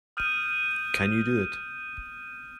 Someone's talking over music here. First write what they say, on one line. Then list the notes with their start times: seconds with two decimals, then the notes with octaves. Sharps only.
Can you do it?
0.17 D#6 F6 G6 D#7